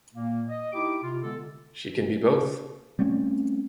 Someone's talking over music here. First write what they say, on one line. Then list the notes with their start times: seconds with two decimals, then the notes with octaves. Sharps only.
She can be both.
0.14 A#2 A#3
0.49 D#5
0.73 D#4 E4 G4 D6
1.02 C3 F4
1.22 D3 G#3 B3 A4
2.99 G3 A3 C4 C#4